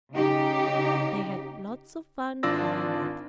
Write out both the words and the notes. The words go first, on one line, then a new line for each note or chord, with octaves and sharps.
They had lots of fun flying it.
C#3 D#4 G4
G#1 D4 F4 D5 E6 A#6